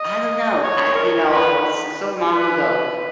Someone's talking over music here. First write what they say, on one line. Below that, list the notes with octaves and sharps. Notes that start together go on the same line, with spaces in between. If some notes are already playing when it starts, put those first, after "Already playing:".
I don't know. I you know, I was it's so long ago.
Already playing: D#5
C#5
A#4
B4
B4